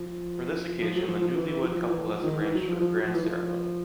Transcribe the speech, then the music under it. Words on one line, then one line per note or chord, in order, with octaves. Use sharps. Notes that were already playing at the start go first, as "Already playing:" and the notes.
For this occasion, the newlywed couple has arranged for a grand ceremony.
Already playing: F3
F3
F#3
F3
F3
E3
E3
F3
F3
E3
F3
D#3
E3
F#3
F3
F3
F#3
F3
E3
F3